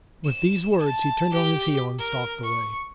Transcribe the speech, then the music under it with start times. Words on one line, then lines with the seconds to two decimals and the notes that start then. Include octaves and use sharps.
With these words he turned on his heel and stalked away.
0.25 E7
0.80 A5
1.33 G4
1.98 A#4
2.43 C#6